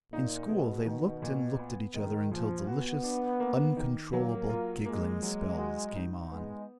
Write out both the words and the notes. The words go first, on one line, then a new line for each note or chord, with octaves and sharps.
In school they looked and looked at each other until delicious, uncontrollable giggling spells came on.
A#2 D#4
B2 G#3
D#3
A#2
B3
D#3 G#3
A#2 F3
B3 F#4
D4
A#3
D#3
F#3 A#3
F4
G#3 A#3
F#3
F#4
D#4
G#3 B3